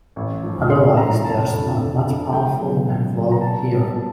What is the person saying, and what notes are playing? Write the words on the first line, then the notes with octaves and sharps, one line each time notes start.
Otherwise there's not much powerful at work here.
A1
G#2 F3
A1 C6
G#2 F3 A#5
F1 A5
F2 D3
F1
F2 D3
C#2 G5
B2 F#3 B3
C#2
B2 F#3 B3
A#5
A#2 A5
G3 B3
A#2 A5